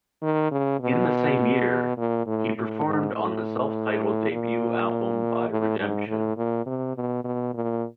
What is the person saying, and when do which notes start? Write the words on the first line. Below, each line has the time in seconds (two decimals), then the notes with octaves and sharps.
In the same year, he performed on the self-titled debut album by Redemption.
0.22 D#3
0.51 C#3
0.80 B2
1.97 A#2
2.26 A2
2.56 A2
2.85 G#2
3.14 A2
4.31 A#2
5.49 A2
5.78 G#2
6.07 A2
6.37 A#2
6.66 C3
6.96 B2
7.25 B2
7.54 A#2